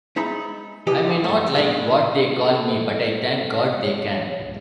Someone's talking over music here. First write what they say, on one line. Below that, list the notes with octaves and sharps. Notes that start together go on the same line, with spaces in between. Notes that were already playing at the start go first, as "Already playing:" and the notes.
I may not like what they call me, but I thank God they can.
G#3 D#4 E5 B5
C#2 E3 G4 D#5
G2 A3
B1 G#2 G#3
A4
C#5